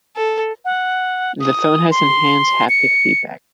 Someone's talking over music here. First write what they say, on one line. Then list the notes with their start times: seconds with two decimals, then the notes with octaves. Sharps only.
The phone has enhanced haptic feedback.
0.16 A4
0.65 F#5
1.40 D#6
1.91 C6
2.69 C#7